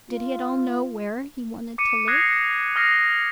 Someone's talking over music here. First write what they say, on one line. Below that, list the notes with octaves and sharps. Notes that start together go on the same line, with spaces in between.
Did he at all know where he wanted to live?
F4
D6 C#7 D#7
D#6 F#6 G#6 A#6 C7
D#6 F6 A#6 C7